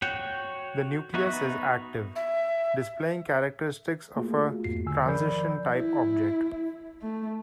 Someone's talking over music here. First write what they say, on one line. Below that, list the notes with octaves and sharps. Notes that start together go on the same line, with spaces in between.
The nucleus is active, displaying characteristics of a "transition" type object.
F#4 C#5 G5
B3 D#4 F#4 E5 C#6
E5
A3 A#3 F4 F#4 G#4
E2 G#2 C7
D3 G#5 E6
D#3 F3 A#4 D5 B5 G6
E4
A3